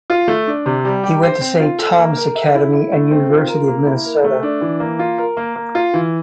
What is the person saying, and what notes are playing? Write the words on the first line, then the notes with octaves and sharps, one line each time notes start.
He went to Saint Thomas Academy and University of Minnesota.
F4
A3
D4
C3
G3
G4
C5
C4
F4
A4
A#3
A#4
E5
E4
E4
A3
C4
F4
A#4
A#3
E4
A#4
A3
D4
E3
A#3
F4
A#4
A#3
A#3
F4
E3